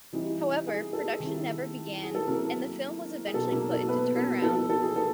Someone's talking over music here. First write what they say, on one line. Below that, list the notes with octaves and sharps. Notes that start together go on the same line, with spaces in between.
However, production never began and the film was eventually put into turnaround.
E3 G3 C4 D#4
G#4
A4
D#3 G3 C4 E4
G#4
A4
F#3 A3 A#3 C4 E4 A#4
G#4
B2 F#3 A#3 D#4 A4
A#3 A#4
A4
B3 B4
A4
F3 A#3 D#4 A4
A4
G#4
A4